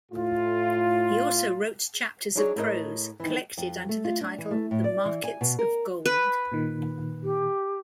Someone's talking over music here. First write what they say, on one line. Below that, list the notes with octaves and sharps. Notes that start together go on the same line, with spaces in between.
He also wrote chapters of prose, collected under the title: "The Markets of Gold".
A2 F4
F#3 D4 D#4 G#4 B4 C#5
A2 A#4 D#5
D#3 E3
F2
A3
F4
D4
E3
A3
A2
D5
E3
G#5
B2
A#4
B4
A#2 D#3
G4